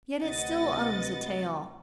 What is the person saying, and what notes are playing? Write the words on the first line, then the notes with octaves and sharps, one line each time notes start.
Yet it still owns a tail.
D2 C3 B4 D#5 F#5 A6